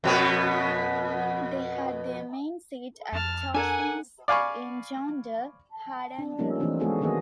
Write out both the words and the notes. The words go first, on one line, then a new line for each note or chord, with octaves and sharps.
They had their main seat at Torsnes in Jondal, Hardanger.
F2 B2 B3
F2 A5 F6
D4 A4 A#4 F#5 G#5
D5 F5 G#5 B5 C#6
D4
F3 G3 A3 A#3 C#4 D#4
E3 A3 A#3 C4 D4 D#4
G#3 A3 B3 F#4 G#4 A4
D#3 F#3 A#3 C4 G#4 D#5